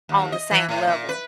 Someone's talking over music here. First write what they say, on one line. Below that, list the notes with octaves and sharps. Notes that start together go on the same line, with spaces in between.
on the same level.
D#2
D#5
E3
A2
A#2
B4